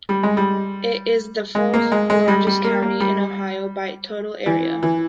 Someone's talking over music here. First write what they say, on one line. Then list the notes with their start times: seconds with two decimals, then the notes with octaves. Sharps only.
It is the fourth-largest county in Ohio by total area.
0.09 G3
0.23 G#3
0.37 G3
1.55 G#3
1.74 A#3
1.92 G#3
2.10 G#3
2.28 G3
2.47 G3
2.64 A#3
2.82 A#3
3.00 G3
4.46 E3
4.83 E3